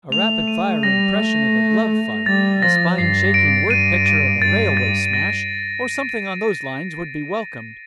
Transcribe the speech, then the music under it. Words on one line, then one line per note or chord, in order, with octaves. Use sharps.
A rapid-fire impression of a glove fight, a spine-shaking word picture of a railway smash, or something on those lines, would be welcomed.
A3 F7
D#7
G3 A#6
A3
G3 A6
F3 A#6
G2 C7
D7
G2 D#7
D#7
G2 A6
A6
A#6